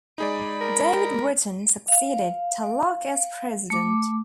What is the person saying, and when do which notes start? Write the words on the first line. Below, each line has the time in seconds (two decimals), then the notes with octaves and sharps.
David Britten succeeded Tulloch as president.
0.18 G#3 D#4 G#4 D5 B5
0.61 A#4
1.88 F5
3.70 A3 D6